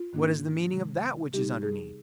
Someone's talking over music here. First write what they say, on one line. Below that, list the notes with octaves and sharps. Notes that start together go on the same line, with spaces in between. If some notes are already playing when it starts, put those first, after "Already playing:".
What is the meaning of that which is underneath?
Already playing: F4
G#2 D#3 A#3 D4
C3 D#3 G#3
C3 G3 C4 D#4 G4
G#4